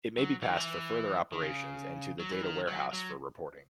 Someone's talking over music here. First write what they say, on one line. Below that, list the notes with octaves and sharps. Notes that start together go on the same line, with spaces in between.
It may be passed for further operations and to the data warehouse for reporting.
F#3
E3
D#3
E3
D#3
C#3
F#3
E3
D#3
F#3
F#3